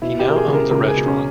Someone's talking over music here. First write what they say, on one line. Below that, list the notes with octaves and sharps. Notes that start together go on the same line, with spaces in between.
He now owns a restaurant.
B2 E4
G4
B2 A#4
G#4
C#2
A#4
C#2 A#4
G#4
B2
C#4